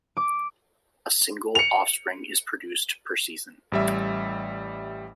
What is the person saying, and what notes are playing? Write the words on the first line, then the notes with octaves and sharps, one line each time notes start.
A single offspring is produced per season.
D6
C#7 F7
A1 G3 E5